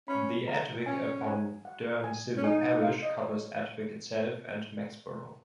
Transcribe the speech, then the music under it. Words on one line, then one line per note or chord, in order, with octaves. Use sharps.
The Adwick upon Dearne civil parish covers Adwick itself and Mexborough.
C#4 B5
A#5
C#4 G#5
F#5
G#5
F#5
G#5
C#4
D#4 G#5
F#5
F5
D#5
C#5